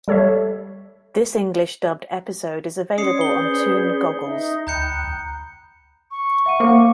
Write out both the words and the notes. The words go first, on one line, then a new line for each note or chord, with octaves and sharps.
This English dubbed episode is available on Toon Goggles.
G3 A4 C#5 D5 E5
C#4 C#5 D5 C6 D#6 C7 C#7
G#4 B4 C5 G7
D#4 D#5 E5
D2 G5 A#5 B5 F#6 G6 C#7
C#6
E5 F#5 D#7
A#3 C5 F5 D6